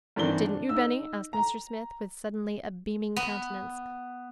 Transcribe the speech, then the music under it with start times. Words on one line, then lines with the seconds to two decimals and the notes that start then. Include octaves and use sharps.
"Didn't you, Benny?" asked Mr. Smith, with suddenly a beaming countenance.
0.16 G2 D#3 E3 C4 D4 G7
0.41 D4
0.69 D#4 E6
1.33 A#5
3.16 B3